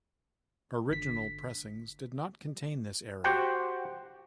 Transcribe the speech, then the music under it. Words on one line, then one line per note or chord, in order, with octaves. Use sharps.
Original pressings did not contain this error.
G1 D3 B6
F#4 G4 C5 F#5 G5